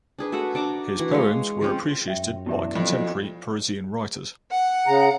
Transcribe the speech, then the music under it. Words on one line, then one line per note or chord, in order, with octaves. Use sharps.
His poems were appreciated by contemporary Parisian writers.
D4 G#4 B4
F#4 A4 E5 F#5
D4 D5 A5 A#5
E3 F#4
G#3 C#5 F5
F3 C4 C#4
F#2 E5 G5
B2 E3 D4 E4 G4 E5
F2 F#3
F#5
C#3 A#5